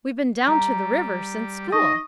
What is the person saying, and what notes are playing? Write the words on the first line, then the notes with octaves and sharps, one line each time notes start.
"We've been down to the river since school."
G3 A#5
D#4 D#5 C#6 D#6